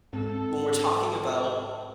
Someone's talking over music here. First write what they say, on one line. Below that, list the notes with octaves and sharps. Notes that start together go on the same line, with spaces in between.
when we're talking about
G#2 C4 A4